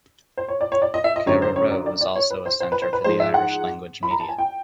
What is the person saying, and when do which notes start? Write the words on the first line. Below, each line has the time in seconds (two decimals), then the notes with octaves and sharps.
Carraroe is also a centre for the Irish-language media.
0.37 C5
0.48 C#5
0.61 D5
0.72 C#5
0.82 D5
0.94 D#5
1.04 E5
1.16 D#5
1.26 F#2 D3 F#3 C#5
1.42 C5
1.56 C#5
1.71 D5
1.86 D5
2.01 D5
2.16 C#5
2.30 B4
2.46 C5
2.60 C5
2.72 B4
2.82 C5
2.93 B4
3.04 G#2 F3 G#3 C5
3.20 E5
3.34 F#5
4.03 B5
4.11 A#5
4.20 A5
4.29 G#5
4.38 G5